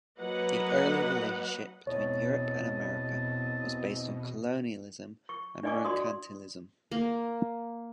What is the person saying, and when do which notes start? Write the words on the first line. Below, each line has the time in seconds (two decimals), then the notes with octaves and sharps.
The early relationship between Europe and America was based on colonialism and merchantilism.
0.19 F#3 A#3 B4 D#5 F#5
1.87 E2 B2 C4 C#5 D#5 A5
5.29 C#6
5.63 D4 D5 D#5 G#5 C#6 D6
5.85 F#4 D5 C6 D#6
6.91 A#3